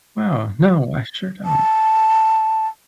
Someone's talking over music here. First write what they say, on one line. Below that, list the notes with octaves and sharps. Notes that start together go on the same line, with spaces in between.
Wow, no, I sure don't.
A5